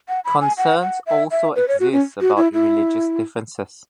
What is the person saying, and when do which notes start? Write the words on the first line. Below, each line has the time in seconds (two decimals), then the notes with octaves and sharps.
Concerns also exist about religious differences.
0.09 F#5
0.25 B5
0.41 G#5
0.58 F#5
0.82 F#5
1.06 E5
1.31 E5
1.56 B4
1.68 C#5
1.80 F#4
1.92 C#4
2.21 F#4
2.37 E4
2.53 E4